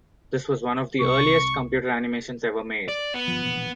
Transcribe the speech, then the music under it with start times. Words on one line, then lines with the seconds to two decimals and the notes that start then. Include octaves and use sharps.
This was one of the earliest computer animations ever made.
1.01 C2 C3 C#6
2.88 D5
3.14 B3
3.28 G1 F3
3.44 E1 A#1 E2